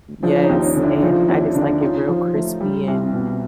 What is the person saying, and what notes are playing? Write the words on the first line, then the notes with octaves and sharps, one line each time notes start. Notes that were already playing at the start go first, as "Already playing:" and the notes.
N Yes, and I just like it real crispy, and
F3 D4 E4
C#4 D#4
D#2
C#4 D#4
D3
D4 E4
F3 D#4 F4
D#2 D4 E4
D3 D4
C#4 D#4 F4
F3
A3
G3
C2
B2